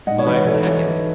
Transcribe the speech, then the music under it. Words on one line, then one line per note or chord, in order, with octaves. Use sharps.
"My packet?"
G#2 D#5 F#5
C#5
E3 B4 D#5
E3 A4 C#5
E3
E3